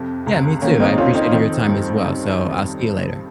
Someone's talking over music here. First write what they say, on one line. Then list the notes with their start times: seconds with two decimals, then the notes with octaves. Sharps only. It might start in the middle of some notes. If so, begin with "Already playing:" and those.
Yeah, me too, I appreciated your time as well, so I'll see you later.
Already playing: F2 C3
0.27 C#2
0.62 D#3 A#3 C#4
0.80 C4 D#4
0.97 F2 C#4 F4
1.15 C4 D#4
1.32 D#3 C4 D#4
1.68 G2